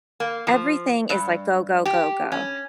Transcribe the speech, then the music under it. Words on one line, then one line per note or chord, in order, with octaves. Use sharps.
Everything is, like, go, go, go, go.
A#3
F3
G2
G4
C#4